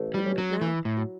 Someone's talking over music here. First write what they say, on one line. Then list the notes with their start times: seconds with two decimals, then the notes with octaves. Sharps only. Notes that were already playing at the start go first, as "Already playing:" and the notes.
Wouldn't it now?'
Already playing: A1 A3
0.14 G3
0.26 C#4
0.38 F#3
0.61 E3 E4
0.85 A2
0.97 F#3